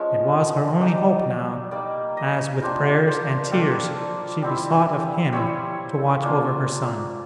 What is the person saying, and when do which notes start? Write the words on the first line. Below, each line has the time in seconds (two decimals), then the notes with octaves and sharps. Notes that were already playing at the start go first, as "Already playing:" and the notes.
It was her only hope now, as with prayers and tears she besought of Him to watch over her son.
Already playing: F3 G#3 C#4
0.81 G3 A#3 D#4 D5
1.71 G3 A#3 D#4 D5
2.17 D#5
2.62 G3 A#3 D4 F4 C5
3.08 C5
3.52 G3 A#3 D4 F4 A4
4.42 G3 C4 E4
5.32 G3 C4 E4 C#5
6.23 A#3 D4 F4